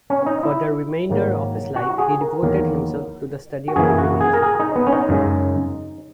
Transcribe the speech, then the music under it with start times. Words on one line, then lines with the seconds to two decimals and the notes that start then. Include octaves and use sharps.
For the remainder of his life he devoted himself to the study of divinity.
0.10 C#4
0.26 D#4
0.43 E4
1.09 G#2 D#3 F#3 A#3
1.76 F#4
1.93 F#4
1.98 G#4
2.21 A#4
2.43 E2 D#3 F#3 A#3
3.68 F#4
3.76 F#2 E3 A#3 G#4
3.98 F#4
4.21 G#4
4.33 A#4
4.43 G#4
4.60 D#4
4.76 B3
4.87 C#4
4.92 D#4
5.09 F#2 C#3 G#3